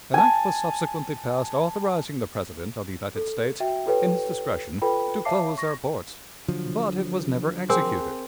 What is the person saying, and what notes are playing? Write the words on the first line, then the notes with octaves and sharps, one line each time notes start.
An act was subsequently passed authorizing the President of the United States, in his discretion, to close our ports, but it was never executed.
G#5 A5
A4
F#4 E5 G5
F4 G4 A4 B4 C#5 G5
F4 A4 B4 G5 B5
C#5 E5 F5 A5 D6 C7
C#6 A#6
D3 F3 F#3
C4 G#4 A#4 G#5